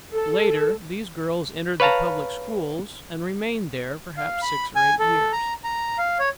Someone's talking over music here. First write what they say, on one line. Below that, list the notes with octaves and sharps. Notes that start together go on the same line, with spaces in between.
Later, these girls entered the public schools and remained there perhaps six or eight years.
A4
B4 C#5 F5 A5 A#5
F5
B5
G#5
A4
A#5
A#5
F5
C#5